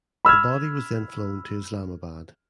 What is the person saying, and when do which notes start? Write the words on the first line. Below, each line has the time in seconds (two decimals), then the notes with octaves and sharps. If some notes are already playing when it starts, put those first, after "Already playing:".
The body was then flown to Islamabad.
0.25 B5 E6 F6 G#6